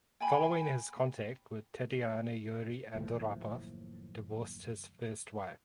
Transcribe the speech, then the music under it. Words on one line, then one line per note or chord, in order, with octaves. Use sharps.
Following his contact with Tatyana Yuri Andropov divorced his first wife.
G5 G#5 B5
F#1 D#2 A2 F3